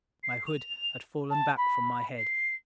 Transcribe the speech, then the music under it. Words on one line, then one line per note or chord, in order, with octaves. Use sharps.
My hood had fallen back from my head.
C7
F7
A5
B5
C7